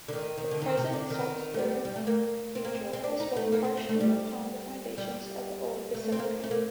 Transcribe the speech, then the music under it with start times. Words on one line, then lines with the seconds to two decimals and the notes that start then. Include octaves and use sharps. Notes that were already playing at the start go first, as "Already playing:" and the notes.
The present Salzburg Cathedral is built partially upon the foundations of the old basilica.
0.08 D3
0.13 D#3
0.38 D#3
0.51 D3
0.62 D#3
0.77 C3
0.93 D3
1.10 D#3
1.54 A3
1.59 G3
1.85 G3
1.96 A3
2.07 A#3
2.55 C4
2.65 A#3
2.75 C4
2.93 C4
3.04 D4
3.20 D#4
3.37 A3
3.52 A#3
3.64 C4
3.77 A3
3.89 A3
4.01 G3
4.98 G3
5.95 A3
6.12 C4
6.19 A#3
6.44 A3
6.51 A#3